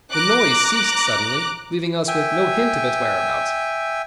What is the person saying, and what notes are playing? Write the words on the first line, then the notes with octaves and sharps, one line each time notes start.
The noise ceased suddenly, leaving us with no hint of its whereabouts.
A#5 D6 F#6
E5 G5 G#5